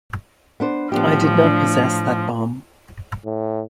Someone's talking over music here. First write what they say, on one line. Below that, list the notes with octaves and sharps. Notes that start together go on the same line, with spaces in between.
I did not possess that bomb.
B3 D4 C5
A2 F3 B3 D4 G4
D4
A2